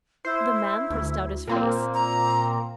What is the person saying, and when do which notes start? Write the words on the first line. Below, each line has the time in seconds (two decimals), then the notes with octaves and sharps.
The man thrust out his face.
0.25 E4 C5
0.90 D2
1.47 A#2 A#3 C4
1.94 A#5